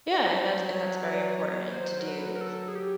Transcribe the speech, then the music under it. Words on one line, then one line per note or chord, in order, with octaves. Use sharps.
Yeah, and that's and that's very important to do.
D#5
D5
C#5
F#3 C5
C#5
D5
C#5
B4
F#3 C5
A#4
B4
A#4
A4
G#4
G4